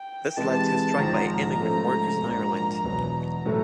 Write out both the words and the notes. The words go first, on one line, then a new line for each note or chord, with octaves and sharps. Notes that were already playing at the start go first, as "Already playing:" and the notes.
This led to a strike by immigrant workers in Ireland.
Already playing: G5
C3 E3 G#3 A5
G#1 G#2 F3 A#5
G#2 F3 A3 C#4
A#1 G#2 F3 A#3
E1 E2 B2 F#3
A2 F#3 A3